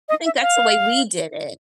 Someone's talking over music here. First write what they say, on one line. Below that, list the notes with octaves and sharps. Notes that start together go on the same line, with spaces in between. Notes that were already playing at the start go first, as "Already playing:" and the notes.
I think that's the way we did it.
D#5
E5
F5